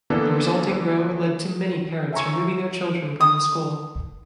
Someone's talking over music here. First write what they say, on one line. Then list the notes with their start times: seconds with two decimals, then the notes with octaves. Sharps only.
The resulting row led to many parents removing their children from the school.
0.10 D3 E3 A#3 B3 D4 A4
2.13 E5 G#5 A#5 C#6
3.21 D#6